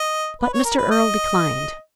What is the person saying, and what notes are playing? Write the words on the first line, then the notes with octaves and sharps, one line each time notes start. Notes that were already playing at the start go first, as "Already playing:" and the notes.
But Mr. Erle declined.
Already playing: D#5
B4
C#5
A#4
B4
D#5